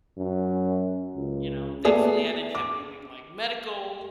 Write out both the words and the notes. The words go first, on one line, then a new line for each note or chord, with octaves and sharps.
you know, thankfully I didn't have anything like medical
F#2
C#2
A3 B3 G#4 D5
D6